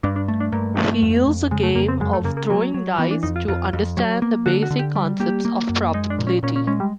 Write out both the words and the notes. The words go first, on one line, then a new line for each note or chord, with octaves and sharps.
He used the game of throwing dice to understand the basic concepts of probability.
G2 D4
D4
A3
D4
G2 A#3
A3
F2
F2
C#3 G#3
A3
F2 A#3
C4
F#2 G#3
A3
C#3 A#3
A#3
F#3 A#3
F#3
E3 B3
D4
F2 D#4
F4
F2 F4
F2
F#3
A#3
D3 F#4
F#4
D3
G4
G3
A#3 G4
A#3
F#2
G#3 D#4
D4
A#2
C#4
A#2 C#4
C#4
G#3 C#4
G3